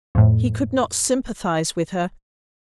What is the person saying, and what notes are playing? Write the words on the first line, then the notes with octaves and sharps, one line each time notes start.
He could not sympathise with her.
F2 A2